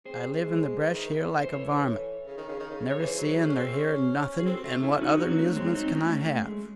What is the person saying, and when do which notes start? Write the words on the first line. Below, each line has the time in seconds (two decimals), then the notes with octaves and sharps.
I live in the bresh here like a varmint, never seein' nor hearin' nothin', and what other 'musement kin I have?
0.05 C4 G#4 C5
0.36 A3
0.43 G#3
0.80 E3
0.93 D#3
1.07 E3
1.41 C5
1.52 A4 C#5
2.27 C#3
2.37 D#3
2.48 C#3
2.60 D#3
2.70 C#3
2.91 C#5
2.99 E3 G#4 C5
3.18 F#3
3.36 A3
3.49 C#4
3.55 C4
3.73 C#4
4.40 G#4
4.46 C4 F#4 A4
4.56 C4
4.65 A3
4.82 A3 C#4 E4
5.01 F#3 D#4 F#4
5.19 D#4 F#4
5.31 C4
5.38 A3
5.56 G#3 C4
5.74 C4 D#4
5.86 C4
5.93 A3 C#4
6.18 A3
6.42 G#3